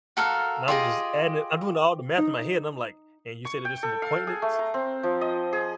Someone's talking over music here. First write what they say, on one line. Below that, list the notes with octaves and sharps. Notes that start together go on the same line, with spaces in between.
and I'm just adding it I'm doing all the math in my head, and I'm like, "and you said it's just an acquaintance?"
F#4 A4 A#4 F5
F4 G4 G#4 D#5
D#4
C#6
G5
A4
F5
G#4
A3
A#5
C4
F3
D#5
G#4